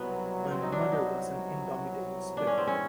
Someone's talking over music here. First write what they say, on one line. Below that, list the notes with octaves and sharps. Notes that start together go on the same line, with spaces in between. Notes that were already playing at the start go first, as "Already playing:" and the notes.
My mother was an indomitable spirit.
Already playing: C2 B2 F#3 B3
C4
D#4
D4
D#4
G2 E3 G#3 B3 D4
C#4
C4
C#4